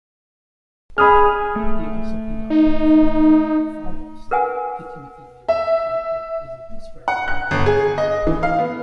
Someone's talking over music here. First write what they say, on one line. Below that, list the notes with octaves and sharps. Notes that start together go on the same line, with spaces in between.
He also conducted a thirty-four year follow-up study to Timothy Leary's Concord Prison Experiment.
G#4 B5 D#6 F6
A3
D#4
A#4 B4 F#5 G#5
E5
F#5
F#6
G1
G#4
D#5
E3
F5
B3